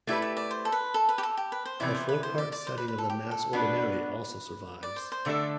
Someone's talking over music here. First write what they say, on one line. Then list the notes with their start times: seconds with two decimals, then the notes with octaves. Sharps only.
A four-part setting of the Mass Ordinary also survives.
0.07 A3 E4 G4 B4 D5
0.22 D5
0.37 D5
0.51 C5
0.65 A4
0.72 B4
0.94 A4
1.09 B4
1.18 G4
1.23 A4
1.37 G4
1.52 B4
1.65 C5
1.80 C3 E3 B3 E4 D5
1.95 C5
2.09 B4
2.23 C5
2.38 D5
2.52 D5
2.67 C5
2.78 B4
2.88 B4
2.98 A4
3.10 G4
3.31 A4
3.53 B2 B3 D4 B4
4.83 D5
4.96 C5
5.12 C5
5.25 D3 A3 D4 A4 D5